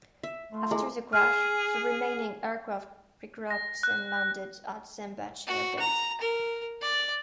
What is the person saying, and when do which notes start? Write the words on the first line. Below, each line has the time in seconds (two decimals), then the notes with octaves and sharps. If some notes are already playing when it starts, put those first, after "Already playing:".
After the crash, the remaining aircraft regrouped and landed at Sembach Air Base.
0.23 E5
0.52 A3 F4 D#5 C6
0.71 G#3 E4 A4 E5
1.13 G#4 F6
3.50 A#6
3.83 F#6
5.47 F#4
5.79 A#5
6.21 A#4
6.82 D5